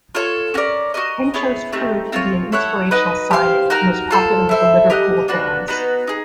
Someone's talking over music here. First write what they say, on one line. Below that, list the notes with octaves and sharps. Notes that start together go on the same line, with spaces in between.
Henchoz proved to be an inspirational signing and was popular with the Liverpool fans.
F4 A4 C#5
C#4 F#4 A#4 D5
F#4 A#4 D#5
B3 E4 G#4 C#5
A3 C4 D#4 G4
C4 F4 A4 C#5
E4 A4 C#5 F#5
D#4 F#4 B4 D#5
G4 C5 F5
D#4 F#4 A#4
F4 A4 C5
E4 A4 C5 E5
G4 A#4 D#5 F#5
A#3 D4 F#4 B4
B3 D#4 F#4 B4
D#4 G#4